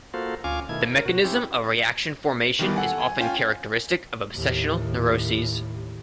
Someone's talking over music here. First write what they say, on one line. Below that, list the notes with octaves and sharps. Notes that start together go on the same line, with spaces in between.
The mechanism of reaction formation is often characteristic of obsessional neuroses.
A#3 F4 F#4 A4 C5
D2 C#4 F4 F5 G#5 D6
B2 D#3 A3 E4 G#6
A#4
B2 F#4
C4 C#4 E4 G4
D#3 E3 G3 B3
A4 F#5 G#5
G#5
C#4 F4 F5 G5 G#5
D#2 A2